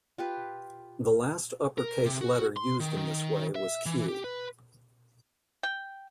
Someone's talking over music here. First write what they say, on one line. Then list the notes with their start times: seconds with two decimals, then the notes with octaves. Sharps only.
The last upper-case letter used in this way was "Q".
0.18 F4 G4 B4
1.78 A#4
2.05 C3
2.21 F#4
2.57 C6
2.80 D#3
2.97 D#3
3.56 E5
3.86 E3
4.09 G4
4.24 B4
5.63 G5